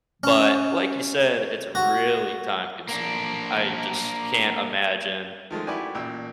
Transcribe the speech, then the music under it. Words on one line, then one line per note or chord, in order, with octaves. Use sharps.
but, like you said, it's really time consuming. I just can't imagine
C#4
F#4
A#3 D4
D#3 F3 G#3 A3
E4 F#4 G4 B4 D5 G#5
A1 A#2 G5 E6